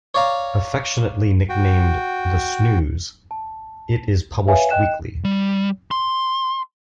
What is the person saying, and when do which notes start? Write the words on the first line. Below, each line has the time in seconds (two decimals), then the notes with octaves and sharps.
Affectionately nicknamed "The Snooze", it is published weekly.
0.14 C#5 D5 F5 A#5
1.49 F#4 G5
3.31 A5
4.47 B4 C#5 E5 F5 G#5
4.70 D#5 G5 F#6 E7
5.24 G3
5.91 C6